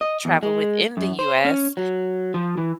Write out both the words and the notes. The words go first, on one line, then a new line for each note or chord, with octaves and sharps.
traveled within the US,
D#5
E2
G#3
F#2
C5
C#4
F#3
F3
E3